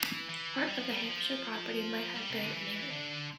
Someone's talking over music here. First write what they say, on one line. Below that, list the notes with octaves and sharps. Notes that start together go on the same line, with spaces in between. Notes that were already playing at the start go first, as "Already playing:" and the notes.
Part of the Hampshire property might have been inherited.
Already playing: E3
E3
G3
F3
G3
F3
G3
C3
D3
E3
D3